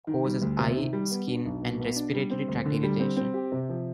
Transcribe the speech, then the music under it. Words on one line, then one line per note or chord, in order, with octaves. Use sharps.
Causes eye, skin, and respiratory tract irritation.
D#3
G3
D2
C3
D#3
G3
B3
D4
B1
B2
B3
D4
G3
C4
D2
D3
G3
C4
C4
G4
C3
F3